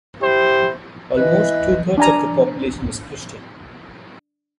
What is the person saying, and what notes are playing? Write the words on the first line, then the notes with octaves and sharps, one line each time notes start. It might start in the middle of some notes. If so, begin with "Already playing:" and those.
Almost two-thirds of the population is Christian.
E4 G4 C5
E3 B4 D#5
D4 G#5 A#5